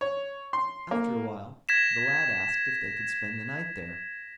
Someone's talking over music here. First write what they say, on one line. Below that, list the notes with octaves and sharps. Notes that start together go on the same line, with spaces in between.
After a while, the lad asked if they could spend the night there.
C#5
C6
A#3
G#6 A#6 B6 E7